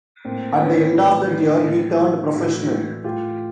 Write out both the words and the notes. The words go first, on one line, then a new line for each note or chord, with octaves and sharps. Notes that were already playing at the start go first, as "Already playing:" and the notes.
At the end of that year he turned professional.
A2 A#3 C4
E3 G3 B3 C#4
A2
E3 G3
A2
E3 G3
A2 E4 F#4
E3 G3
A2 F4 G4